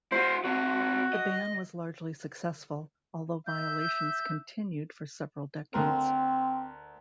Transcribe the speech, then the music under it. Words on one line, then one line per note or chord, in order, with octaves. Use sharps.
The ban was largely successful, although violations continued for several decades.
E4 F#4 C5
D#3 C4 F#4
D#5
E5 G6
D2 C4 A#4